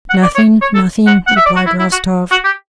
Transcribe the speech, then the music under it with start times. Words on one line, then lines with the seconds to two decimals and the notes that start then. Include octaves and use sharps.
"Nothing, nothing," replied Rostov.
0.10 F#5
0.23 D5
0.36 C#5
0.62 C#5
0.74 A4
1.07 F#5
1.27 F#5
1.36 E5
1.46 D5
1.56 F#4
1.66 E4
1.79 E4
1.92 F#4
2.31 F#4
2.44 G4